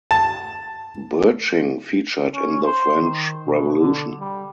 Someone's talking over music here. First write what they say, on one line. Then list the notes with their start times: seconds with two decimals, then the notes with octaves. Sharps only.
Birching featured in the French Revolution.
0.11 A5
2.34 C#4
2.64 C5
3.02 D#3
3.47 B2
3.80 D3
4.20 G3